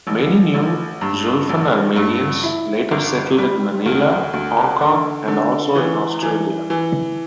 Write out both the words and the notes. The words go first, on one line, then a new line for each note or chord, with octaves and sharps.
Many New Julfan Armenians later settled in Manila, Hong Kong, and also in Australia.
A1
A1
G2
A1
G2
E4
G1
G3
D2
D2
D3
D3
E3
E3
E3